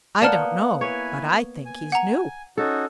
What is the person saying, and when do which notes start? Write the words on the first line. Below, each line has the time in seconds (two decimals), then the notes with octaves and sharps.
"I don't know, but I think he's new."
0.22 A#3 B3 D5 A5 F6
0.81 E4 B4 C#5 G#5
1.66 G#5
1.92 F#5 A#5
2.58 C#4 D#4 F#4 A4